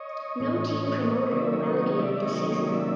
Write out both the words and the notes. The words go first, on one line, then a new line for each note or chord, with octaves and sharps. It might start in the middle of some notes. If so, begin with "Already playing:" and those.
No team promoted or relegated this season.
Already playing: C#5 D#5
A2 E3 A3 C#4
C3 D#3 F#3 A#3 C#4 D5 E5
C#5 D#5
C#5 D#5
D5 E5
C3 D#3 F#3 A#3 C#4 C#5 D#5
D5 E5